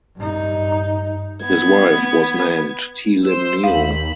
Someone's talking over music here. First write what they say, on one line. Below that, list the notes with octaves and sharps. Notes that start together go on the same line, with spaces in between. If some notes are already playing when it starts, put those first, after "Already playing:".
His wife was named Tee Lim Nio.
G2 D#4
B3 G#6
C5 E6
D#2 F5 B5